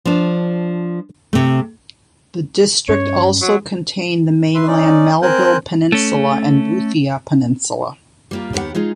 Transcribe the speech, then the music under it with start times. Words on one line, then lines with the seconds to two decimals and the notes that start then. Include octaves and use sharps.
The district also contained the mainland Melville Peninsula and Boothia Peninsula.
0.05 F3 D4
1.33 C3 A3
2.89 G2 C#4 C#5
3.42 F#3
4.55 B4 E5 C6
4.67 C#4 D#4 D5
5.22 C4 A#4 C5 G#5 F#6 G6
5.92 A3 C#4
8.31 G3 A#3 F4
8.53 D#2 D#3 B3 G4 F#5
8.75 G#3 D#4 F4 G#4